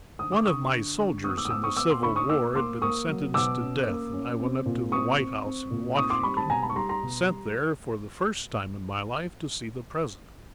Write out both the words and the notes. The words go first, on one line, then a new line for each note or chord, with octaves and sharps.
One of my soldiers in the Civil War had been sentenced to death, and I went up to the White House in Washington--sent there for the first time in my life to see the President.
D3 D#6
D6
D3 C#6 D#6
D3
D3
B3 C#6 D#6
D6 E6
D#6
B3 D6 E6
C#6 D#6
B3 D6 E6
C6 D6
D3 B5 C#6
C#6 D#6
A#3 D6 E6
A#3 C6 D6
A#3 C#6 D#6
F#3
B2 D6 E6
C#4
A#3
C#4
C4
A#2
C4 C#6 D#6
C4
C4
A#2
C4 C#6 D#6
C6 D6
G3 B5 C#6
A5 B5
B2 G#5 A#5
A5 B5
C#6
G3 A#5 C6
A#5 C6
B2
G3